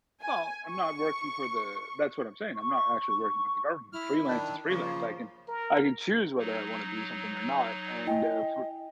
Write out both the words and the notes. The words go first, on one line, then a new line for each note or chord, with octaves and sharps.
well, I'm not working for the that's what I'm saying. I'm not actually working with the government, freelance is freelance. I can I can choose whether I wanna do something or not and, uh, for
G#5
C#6
C#6
E4 F6
D#3 D4
C#3 F3 A#3 C#6
A#4
F#3 D#4
E4 D#5 G5 G#5